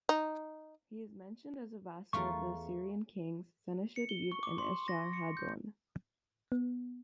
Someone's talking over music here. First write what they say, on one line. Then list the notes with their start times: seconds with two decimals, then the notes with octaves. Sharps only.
He is mentioned as a vassal of the Assyrian kings Sennacherib and Esarhaddon.
0.09 D#4
2.13 E2 A3 F4 A#4 C#6
3.96 C#7
4.09 G7
4.32 C#6
4.43 D6
4.58 C6
4.88 A#6
5.13 C#7
5.37 G6
6.52 B3